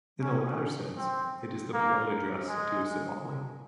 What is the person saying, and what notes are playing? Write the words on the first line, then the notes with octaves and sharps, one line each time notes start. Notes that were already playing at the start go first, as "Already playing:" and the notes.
In the latter sense it is the polite address to a Somali.
C#4
C4
A#3
G#3